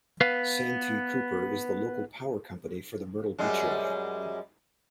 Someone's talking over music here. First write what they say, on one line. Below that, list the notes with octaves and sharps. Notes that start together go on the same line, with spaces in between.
Santee Cooper is the local power company for the Myrtle Beach area.
B3 B4 F5
F#2 G3 G#3